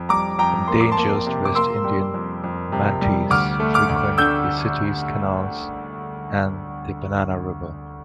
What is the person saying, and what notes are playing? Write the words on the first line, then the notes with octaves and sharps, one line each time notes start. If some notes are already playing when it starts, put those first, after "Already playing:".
Endangered West Indian manatees frequent the city's canals and the Banana River.
Already playing: F2
G3 A#5 D6
F2 G5 A#5
A#3 C6
D6
A5 C6
A#3
C3
D6
A#3 C6 E6
G3
F2
F2
C3
G3
D2 D6 F6
A3
D6 F6
D2
D3 E6 G6